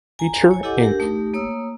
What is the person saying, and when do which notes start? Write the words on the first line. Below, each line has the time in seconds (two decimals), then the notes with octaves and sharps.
Feature Inc.
0.19 G#5 A#5
0.51 C#5 G#5
0.63 E4 G4 A4 D#5 F#5 D6
0.83 D4 G4 A#4
1.00 A3 D#4 G4
1.34 A#3 C#5 D#6 E6